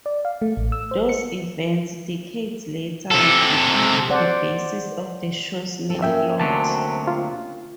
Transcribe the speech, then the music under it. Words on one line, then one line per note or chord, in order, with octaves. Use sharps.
Those events, decades later, would become the basis of the show's main plot.
D5
F5
A3
A1
E6
C5
C#7
C3 A4
C5 D5 F#5
C4 A4
A#3 C#4 E5 G5
D2 C3 F#3 A5
F4